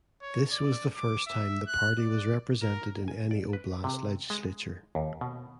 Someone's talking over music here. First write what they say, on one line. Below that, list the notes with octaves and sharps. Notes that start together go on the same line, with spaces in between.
This was the first time the party was represented in any oblast legislature.
C#5
D5
D6
E5
F#6
D5
A#4
G#5
D5
B4
C3
G#3
D#2
B2